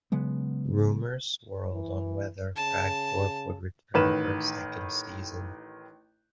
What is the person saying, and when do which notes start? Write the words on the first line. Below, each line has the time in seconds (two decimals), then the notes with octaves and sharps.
Rumors swirled on whether Kragthorpe would return for a second season.
0.12 C#3 F#3 G#3 B3
1.72 E3
2.56 C#3 A5
3.94 A1 D#3 B4 E7